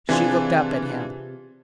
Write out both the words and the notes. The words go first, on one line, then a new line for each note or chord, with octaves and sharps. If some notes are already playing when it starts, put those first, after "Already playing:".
She looked up at him.
C3 E3 D4 F4 G#4